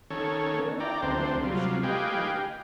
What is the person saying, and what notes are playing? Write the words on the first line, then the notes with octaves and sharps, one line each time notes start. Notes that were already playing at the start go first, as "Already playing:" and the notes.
They went on their way, but she did not move.
D#3 C#4 A4 C#5
D5 G5 A#5
D2 C4 D4 C5
C3 F#3 G3 F4
G4 B4 D#5 F5 G5 G#5